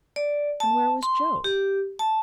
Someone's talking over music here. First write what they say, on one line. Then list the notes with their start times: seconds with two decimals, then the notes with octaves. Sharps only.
And where was Joe?
0.16 D5
0.60 A5
1.03 C6
1.44 G4
1.99 A5